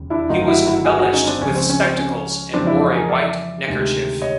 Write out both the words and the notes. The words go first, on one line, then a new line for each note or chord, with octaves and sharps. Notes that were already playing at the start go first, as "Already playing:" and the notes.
He was embellished with spectacles, and wore a white neckerchief.
Already playing: E1 D#2 C#3
D4 E4
G1 F#2 D#3 F#3 A3 D#4 F4
E4 F#4
E4 F#4
F#4 G#4
F#4 G#4
C#4 D#4
C4 D4
C#2 C#3 F3 C#4
C4
C#4
C4
C#4
F2 C#3 E3 G#3 C4 D4
D4 E4
D#4 F4
G#4 A#4
D5 E5
D2 C3 D#3 G#3
C#5 D#5